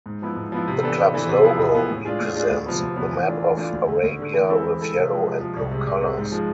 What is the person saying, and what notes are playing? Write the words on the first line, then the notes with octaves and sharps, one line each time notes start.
The club's logo represents the map of Arabia with yellow and blue colors.
G#2
F3 B3 E4
G#2
F3 B3 E4
C3
E3 B3 D4 A4
C3
E3 B3 D4 A4
C3
F3 B3 E4 G#4
C3
F3 B3 E4 G#4
A2
G#3 D4 F4 G#4
A2
G#3 D4 F4 G#4
D2
C3 F3 B3
D2
C3 F3 B3
E3
A3 D4 F4
E3
A3 D4 F4
D2
D3 A3
D2
D3 A3
E3
G#3 C4 E4 A4
E3
G#3 C4 E4 A4
C3
F3 G#3
C3
F3 G#3
C2
C3 G#3
C2
C3 G#3
G#2
F3 G#3